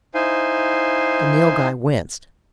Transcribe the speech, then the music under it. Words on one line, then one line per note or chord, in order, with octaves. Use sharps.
The Nilghai winced.
D#4 E4 C5 F5 G#5